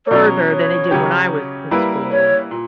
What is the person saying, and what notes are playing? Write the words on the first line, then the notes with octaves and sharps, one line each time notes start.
further than they did when I was in school.
C#5
B2 F#3 C#4 D5
C#5
C#3 F#3 C#4 G4
G3 A#3 E4 B4
C#5
A#2